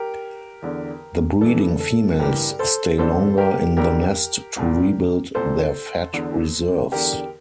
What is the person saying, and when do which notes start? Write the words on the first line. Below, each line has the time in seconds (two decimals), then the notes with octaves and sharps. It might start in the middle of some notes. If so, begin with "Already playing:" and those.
The breeding females stay longer in the nest to rebuild their fat reserves.
Already playing: G4 A#4
0.62 E2 D3
1.41 G2 E3 A4
1.80 A4
2.19 G2 E3 G4 A#4
2.59 A4 C5
2.98 F2 D3 A4 C5
3.38 G4 A#4
3.77 F2 D3 G4 A#4
4.56 C2 A#2
5.35 C2 A#2 A4 C5
6.13 E2 D3
6.92 E2 D3 G4 A#4